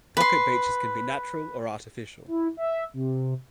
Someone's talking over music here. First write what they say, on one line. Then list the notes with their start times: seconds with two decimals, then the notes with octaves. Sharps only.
Pocket beaches can be natural or artificial.
0.17 B4 C6
2.27 E4
2.57 E5
2.94 C3